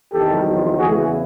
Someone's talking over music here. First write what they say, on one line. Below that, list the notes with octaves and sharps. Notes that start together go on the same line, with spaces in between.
When you're working?
E2 C3 D#3 G4 A4
E2 C#3 E3 F#4 G#4